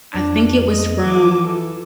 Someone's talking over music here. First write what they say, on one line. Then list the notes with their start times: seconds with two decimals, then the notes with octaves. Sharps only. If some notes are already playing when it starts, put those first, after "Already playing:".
I think it was from,
0.15 F2 D4
0.69 D#5
1.05 E3 D6
1.47 A4